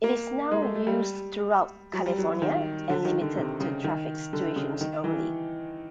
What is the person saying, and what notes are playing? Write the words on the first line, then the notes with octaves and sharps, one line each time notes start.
It is now used throughout California and limited to traffic situations only.
A#3
G#3
A3
A3
G3
F#3
G3
F#3
F#3
D#3
D3
D#3
D3
C3
C#3
D#3
D3
C#3
D#3
E3